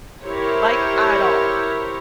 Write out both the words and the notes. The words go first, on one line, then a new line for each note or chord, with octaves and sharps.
Like, at all.
E4 G4 A#4 C5 C#5